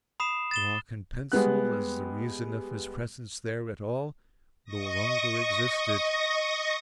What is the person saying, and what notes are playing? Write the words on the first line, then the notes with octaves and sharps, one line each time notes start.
Block and pencil, as the reason of his presence there at all, no longer existed....
B5 D#6 C7 E7
A6 E7 G7
G3 G#3 B3 F#6
D#5 C#6 D#6 A#6